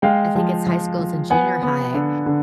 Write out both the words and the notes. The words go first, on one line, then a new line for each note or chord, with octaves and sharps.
I think it's high schools and junior high,
G#3 F5 G5
F3
F3
F3
B3 F#5 G#5
B3
D3
D3